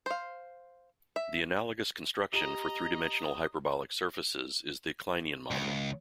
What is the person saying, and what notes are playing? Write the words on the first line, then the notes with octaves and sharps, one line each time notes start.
The analogous construction for three-dimensional hyperbolic surfaces is the Kleinian model.
C5 F5
E5
G4 D#5 A#5
C#2